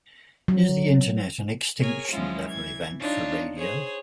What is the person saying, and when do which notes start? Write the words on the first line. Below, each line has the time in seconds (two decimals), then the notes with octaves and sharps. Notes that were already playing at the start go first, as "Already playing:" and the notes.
Is the Internet an Extinction Level Event for Radio?
0.48 F#3
1.78 G#4 A#4 C#5 G#5
2.11 F3 F#3 G#3 C#4 E4 F4
2.44 E3 G#6
2.99 D4 D#4 F4 C#5
3.55 G#4 C5 C#5